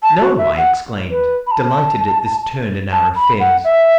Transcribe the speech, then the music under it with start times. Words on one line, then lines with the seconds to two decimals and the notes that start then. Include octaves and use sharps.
"No!" I exclaimed, delighted at this turn in our affairs.
0.03 A5
0.21 F#4
0.38 E5
0.57 F#5
1.11 B4
1.47 B5
1.51 A5
2.92 A5
3.15 B5
3.40 F#5
3.64 E5